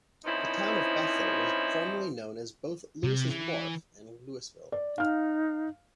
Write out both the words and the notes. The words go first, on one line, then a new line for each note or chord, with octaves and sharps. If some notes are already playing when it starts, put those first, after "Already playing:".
The town of Bethel was formerly known as both Lewis' Wharf and Lewisville.
E3 F3 C4 C#4 D#4 E4
C3
E3
D5
D#4 F5 F6